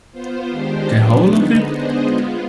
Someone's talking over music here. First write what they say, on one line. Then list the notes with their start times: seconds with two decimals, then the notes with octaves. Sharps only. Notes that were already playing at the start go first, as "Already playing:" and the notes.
The whole of it?.
0.12 B3 F4 C5
0.49 D#3 G#3 D4 G4 C5
0.87 F3 B3 D4
1.26 D3 G#3 B3 D#4
1.63 B3 D4 G#4 C5 D#5
2.01 G#3 B3 F4